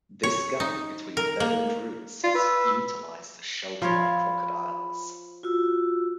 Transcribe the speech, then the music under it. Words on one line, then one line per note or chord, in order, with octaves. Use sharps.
This gap between bed and roots is utilised as shelter by crocodiles.
C#5
D#4
A#4
A#3
F4 D5
B4 E6
F3 C#5 B5
F4 F#4 E6